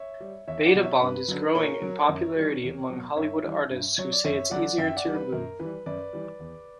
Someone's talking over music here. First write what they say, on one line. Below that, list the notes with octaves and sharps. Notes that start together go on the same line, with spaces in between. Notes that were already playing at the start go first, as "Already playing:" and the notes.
BetaBond is growing in popularity among Hollywood artists who say it's easier to remove.
Already playing: C#5 E5
G3
E2 C#5 E5
D5 F#5
B2 F#3
C#5 E5
G2 B4
D3 F#3
A#2 A#4 C#5
F#3
F#2
E3 G3
E2
B2 F#3
G2 C#5 E5
E3 G3
G2
F#3 C#5
D5
F#2 C#5 E5
D3 F#3 D5 F#5
F#2 E5 G5
D5 F#5
E3 G3
B4
F#2 A#4
E3 G3 B4
F#2 B4 D5
E3 G3
E2